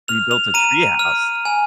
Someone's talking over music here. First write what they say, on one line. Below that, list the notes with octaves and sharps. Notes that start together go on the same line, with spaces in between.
We built a tree house.
F6 F7
F7
A#5 D#7
F6
G#5